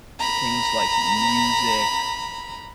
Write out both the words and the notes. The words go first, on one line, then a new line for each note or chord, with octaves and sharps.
things like music
A#5 B5